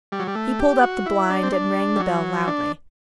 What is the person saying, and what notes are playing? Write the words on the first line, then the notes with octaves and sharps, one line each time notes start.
He pulled up the blind and rang the bell loudly.
G3
F#3
G3
A3
G4
F#4
E4
D4
C4
D4
G3
F#3
D4